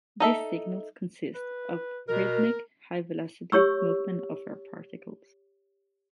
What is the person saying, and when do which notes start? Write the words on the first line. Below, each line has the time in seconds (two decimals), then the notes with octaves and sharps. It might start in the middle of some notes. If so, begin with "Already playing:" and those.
These signals consist of rhythmic high-velocity movement of air particles.
0.20 D#4 A4 E5
1.34 B4
2.08 B2 A#4
3.52 G4 C#5 C#6 E6